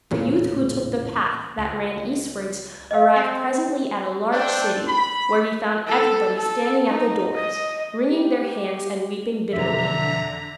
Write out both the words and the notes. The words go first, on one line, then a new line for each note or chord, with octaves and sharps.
The youth who took the path that ran eastwards arrived presently at a large city, where he found everybody standing at the doors, wringing their hands and weeping bitterly.
A1 E2 A#2 C#3
C#2
D#5 F5
C4 C#7
A3 D4 C5 G5
B5
A4
A4
D#4
D#5
G4
E1 F2 D3 F#3 E5 A#5